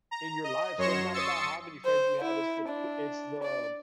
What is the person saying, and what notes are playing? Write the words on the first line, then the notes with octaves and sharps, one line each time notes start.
in your life. So it's not about how many friends you have, it's the po it's the
A#5
D#5
F#2 C#5 C6 A#6 C#7 E7
C6 C#6 D#6 E6 A6 C#7
C5
E4
D4
D5